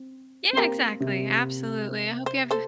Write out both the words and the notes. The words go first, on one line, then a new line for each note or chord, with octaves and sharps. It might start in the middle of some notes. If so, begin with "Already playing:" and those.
Yeah, exactly. Absolutely. I hope you have
Already playing: C4
C4
A#3 G4 A#4
C3
C5
A4 C5